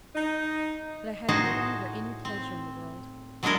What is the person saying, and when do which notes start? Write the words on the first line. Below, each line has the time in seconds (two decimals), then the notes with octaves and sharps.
But I had no longer any pleasure in the world.
0.15 D#4
1.29 A2 D#4 F#4 G#4 C5 A5
2.25 C4
3.43 F#3 G#3 D4 E4 A4 A#4